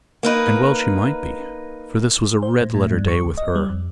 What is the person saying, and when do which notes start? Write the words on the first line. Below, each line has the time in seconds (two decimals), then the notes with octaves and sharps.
And well she might be, for this was a red-letter day with her.
0.23 A#3 D#4 B4
2.43 C5
2.61 A2
2.74 A2
2.92 G2
3.08 C#6
3.25 C#2
3.37 D#5
3.55 G3
3.70 F2